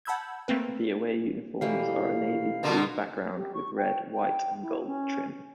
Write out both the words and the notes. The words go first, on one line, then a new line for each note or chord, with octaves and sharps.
The away uniforms are a navy blue background, with red, white & gold trim.
F#5 A5 B5 E6 G6 G#6
A3 A#3 C4 B4
B2 E3 G3 E4 G4 A4 F5
B2 D3 A#3
G4
C#6
G5
G5
E4
C#4